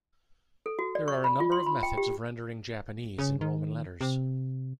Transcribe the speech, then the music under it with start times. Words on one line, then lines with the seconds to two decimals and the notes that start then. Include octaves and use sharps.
There are a number of methods of rendering Japanese in Roman letters.
0.66 A4
0.79 F#4
0.95 D5
1.08 C#6
1.24 B5
1.40 F4
1.52 C6
1.66 B5
1.83 G5
1.98 G4
3.18 C#3
3.41 D#3
4.01 C3